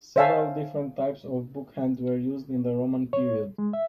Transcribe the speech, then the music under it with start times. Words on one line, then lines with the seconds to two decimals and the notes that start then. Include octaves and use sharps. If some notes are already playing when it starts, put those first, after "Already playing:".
Several different types of book-hand were used in the Roman period.
0.16 C5 C#5 E5 F5 G#5 A5
3.13 C#5
3.58 G#3
3.73 E5